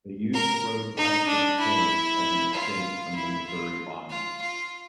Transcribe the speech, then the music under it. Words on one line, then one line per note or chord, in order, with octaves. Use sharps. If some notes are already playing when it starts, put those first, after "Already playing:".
They used the road west of the cave as an escape from Missouri lawmen.
A#4
D#4
D4
E4
F4
E4
F4
F4
F4